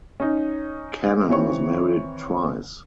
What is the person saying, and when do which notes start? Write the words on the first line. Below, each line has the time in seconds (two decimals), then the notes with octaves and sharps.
Cannon was married twice.
0.20 C#4 D#4
1.28 D#3 E3 C4 C#5 C#6